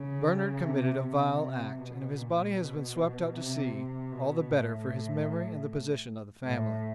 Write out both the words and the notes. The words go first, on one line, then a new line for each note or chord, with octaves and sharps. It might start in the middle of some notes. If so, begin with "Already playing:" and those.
Bernard committed a vile act, and if his body has been swept out to sea all the better for his memory and the position of the family.
Already playing: C#3
C3
C3
B2
A#2
B2
C3
C3
B2
A2
A2